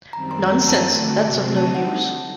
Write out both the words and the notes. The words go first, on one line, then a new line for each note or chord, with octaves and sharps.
Nonsense; that's of no use.
F#2 D#3 G3 C4 A#5
C6
G2 F#3 A3 C4 A#5
A5
D3 A3 D4 F#4
C3 F#3 A3 C4 F#4
D3 G3 C4 D#4 A5
F#5